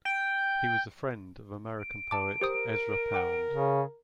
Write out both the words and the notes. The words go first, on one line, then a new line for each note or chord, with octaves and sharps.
He was a friend of American poet Ezra Pound.
G5
D7
A5 D6
G4 A#4 C5 D#6
F#5 G5 D6
C#3